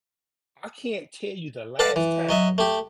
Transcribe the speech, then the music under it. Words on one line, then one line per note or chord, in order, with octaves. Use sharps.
I can't tell you the last time
A4 B4 D5 F5 F#5 A5
E3
F#3 D#5 E5
A3 G4